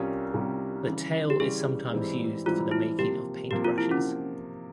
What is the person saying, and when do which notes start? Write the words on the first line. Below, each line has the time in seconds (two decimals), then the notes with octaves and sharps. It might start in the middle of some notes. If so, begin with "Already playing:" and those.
The tail is sometimes used for the making of paintbrushes.
Already playing: C2 C3 G3 C#4 F4 A#4
0.34 C2 C3 G3 C#4 F4
0.87 C#3 E3 G3
1.30 G4
1.40 C#3 E3 G3 G#4
1.93 G#2 E3 G3 C4 E4
2.46 G#2 E3 G3 C4 E4 F4
2.71 E4
2.99 C3 F3 A#3 G4
3.51 C3 F3 A#3 G4
3.64 F4
3.78 E4
3.91 C#4